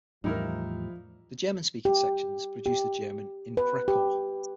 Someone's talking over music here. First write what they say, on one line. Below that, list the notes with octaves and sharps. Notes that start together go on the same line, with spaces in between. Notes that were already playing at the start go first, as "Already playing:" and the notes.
The German-speaking sections produce the German "Inprekorr".
E2 A2 F3 G3 D#4 E4 A#4
G4
G4
B4
G4